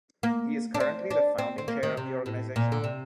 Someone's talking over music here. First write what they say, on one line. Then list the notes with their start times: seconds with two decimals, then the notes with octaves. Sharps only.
He is currently the founding chair of the organization.
0.23 A#3
0.74 D4
0.80 C4
1.11 D4
1.38 C4
1.58 C4
1.68 A#3
1.83 D#3
1.97 C3
2.26 A2
2.56 A#2
2.72 D3
2.84 C3